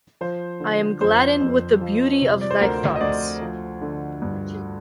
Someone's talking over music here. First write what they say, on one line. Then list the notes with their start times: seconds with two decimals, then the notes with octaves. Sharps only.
I am gladdened with the beauty of thy thoughts.
0.21 F3 C5
0.60 D3
1.01 F2 C5
1.41 F2
1.81 F3
2.21 C3
2.41 D5
2.51 C5
2.61 D2 A#4
2.96 D#5
3.01 D2 D5
3.41 F3
3.81 D3
4.22 G2